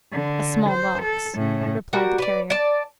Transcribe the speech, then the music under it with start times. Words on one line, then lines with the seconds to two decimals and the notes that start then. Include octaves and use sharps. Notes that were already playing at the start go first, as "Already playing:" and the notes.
"A small box," replied the Carrier.
0.13 D3
0.70 C5
1.03 A4
1.35 A2 C#3
1.93 G3 F#4 A#4
2.18 B4 D5
2.50 D5 A5